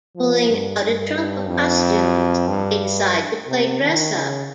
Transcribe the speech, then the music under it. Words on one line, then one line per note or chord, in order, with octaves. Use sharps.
Pulling out a trunk of costumes, they decide to play dress up.
F3
G2
G2
F2
G2
C3
D#3
C#3